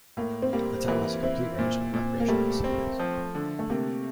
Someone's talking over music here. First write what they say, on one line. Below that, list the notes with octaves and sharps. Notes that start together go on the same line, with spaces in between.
The town has a complete range of recreational facilities.
A2 A#3
C4
G3 A#3
E3 A#3
C4 E4
A#2
A#2
A#3
G3 A3
C4
F3
D3
A3
C3 A#3